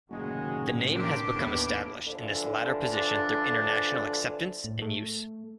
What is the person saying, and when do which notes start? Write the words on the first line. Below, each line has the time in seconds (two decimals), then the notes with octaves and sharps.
The name has become established in this latter position through international acceptance and use.
0.10 F#1 A2 C3 D#3 G#3 F#4 G#4
0.91 E2 C4 D4 G4 A#4
1.34 D#2 A2 B3
2.08 D3 E3 F3
2.94 D4
4.64 A2
4.82 A3